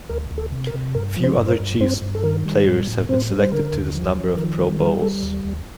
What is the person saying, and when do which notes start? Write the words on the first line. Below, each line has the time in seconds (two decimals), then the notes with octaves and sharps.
Few other Chiefs players have been selected to this number of Pro Bowls.
0.09 D2 A#4
0.31 D2
0.38 A4
0.52 C3
0.67 A#4
0.74 C3
0.95 G2 A#4
1.17 F3
1.24 C4 C5
1.38 G2
1.46 C5
1.52 A#4
1.59 G2
1.80 G2 C4 C5
2.02 G2
2.15 A4
2.23 D#3 A#4
2.46 G3
2.67 A2
2.87 A2
3.09 A2 C4 C5
3.30 G3
3.40 C5
3.52 D3 A#4
3.73 D#2
3.95 F3
4.16 F3
4.37 D#3 A#4
4.59 G3
4.80 G3 A#4
5.02 G3 A4
5.23 D#2
5.44 D#2